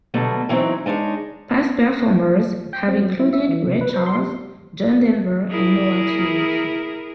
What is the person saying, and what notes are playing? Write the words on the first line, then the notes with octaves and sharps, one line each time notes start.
Past performers have included Ray Charles, John Denver, and Noa to name a few.
B2 D3 F#3 G3 A3
E3 F#3 B3 C4 D#4
G#3 D4 D#4 C#5
G5
C4
F#3
E4
E5
E3
C3
B4
C5
C6
G3
E4 G#4 A#4